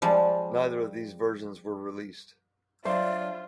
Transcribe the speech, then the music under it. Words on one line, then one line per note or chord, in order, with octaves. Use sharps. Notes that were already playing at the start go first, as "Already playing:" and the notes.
Neither of these versions were released.
F3 G3 G#3
F#3 D4 F4 C5 D5 E5 A5 C6